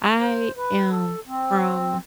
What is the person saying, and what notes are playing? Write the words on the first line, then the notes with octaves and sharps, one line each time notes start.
I am from
C5
B4
A4
C4